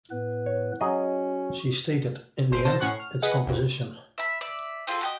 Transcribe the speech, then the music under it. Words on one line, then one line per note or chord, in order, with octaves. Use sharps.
She stated, In the end, it's composition.
A2 B3 B4
C#5
F#3 C#4 F#4 G#4 D#5
G1 C5 C7 D7 D#7
B2 C5 A5 A#6
A2 C#4 F#5 C#6 F#6 C7
F6
G#4 B4 D#5 F#5
A#1 F2
E5 B5
D5 E5
C4 F4 G#4 A4
F#4 G4 D#5